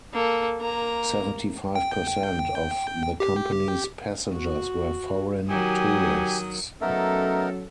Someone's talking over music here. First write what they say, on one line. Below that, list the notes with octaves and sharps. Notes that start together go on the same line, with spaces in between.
Seventy-five percent of the company's passengers were foreign tourists.
A#3 A4
A#3 A#5
G5
G4
F#4
D#3 F#3 G4 G#5 D#6
F#3 A3 B3 C#4 D#4 A4 A#4